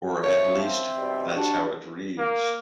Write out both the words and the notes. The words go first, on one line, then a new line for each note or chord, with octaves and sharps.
Or at least, that's how it reads.
F#2 F3 C#5 E5
C4
B2 D#3 G3
D4 F#4 G4
A#3